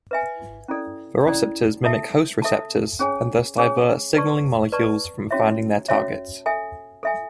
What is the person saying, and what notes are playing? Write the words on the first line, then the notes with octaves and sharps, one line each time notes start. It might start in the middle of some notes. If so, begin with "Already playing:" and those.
Viroceptors mimic host receptors and thus divert signaling molecules from finding their targets.
B4 E5 G#5
C#4 E4 A4 D5
C#4 E4 A4 D5
A4 E5 A5
A4 E5 A5
C#4 G#4 C#5 G#5
C#4 G#4 C#5 G#5
B4 D5 A5 C#6
B4 D5 A5 C#6
C#4 F#4 C#5 E5
C#4 F#4 C#5 E5
A4 E5 G#5
A4 E5 G#5